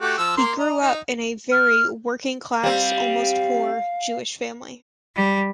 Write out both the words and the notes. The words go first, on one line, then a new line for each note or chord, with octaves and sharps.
He grew up in a "very working-class, almost poor" Jewish family.
A3 F#4 G4
F3 E6
A#3 C6
D#5 A#5
D#4
F6
G3 C4 F5
G3